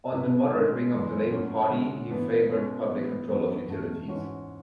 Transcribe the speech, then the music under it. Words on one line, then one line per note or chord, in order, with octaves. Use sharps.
On the moderate wing of the Labour Party, he favoured public control of utilities.
B2 F#3 B3 E4 B4
A2 G#3 C#4
F#2 E3 G#3 B3
A2 F#3 C#4 F#4
D3 G#3 C#4 F#4 A4
A2 E3 B3 D4
B2 G#3 C#4
A2 E3 B3
F#2 E3 B3 F#4 A4
E2 B2 A3
G#2 E3 G#3 C#4 F#4